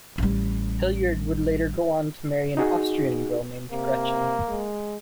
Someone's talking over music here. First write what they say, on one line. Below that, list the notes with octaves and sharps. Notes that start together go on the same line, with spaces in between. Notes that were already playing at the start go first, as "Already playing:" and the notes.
Hilliard would later go on to marry an Austrian girl named Gretchen.
A1 G3
D#4 F#4 G#4
C3 A#3
G#3